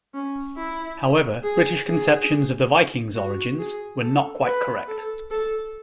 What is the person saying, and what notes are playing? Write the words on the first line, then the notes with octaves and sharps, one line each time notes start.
However, British conceptions of the Vikings' origins were not quite correct.
C#4
E4
G#4
G#4
F#4
G#4
A4
B4
A4
A4